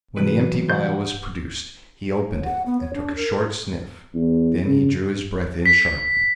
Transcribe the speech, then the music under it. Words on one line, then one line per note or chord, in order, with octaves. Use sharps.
When the empty vial was produced he opened it and took a short sniff. Then he drew his breath in sharply.
A2 C3 E3 F#3 B4
F#5 G6
C#5
F#5
B3
C#5
D4
A#4
E2
C#3
B6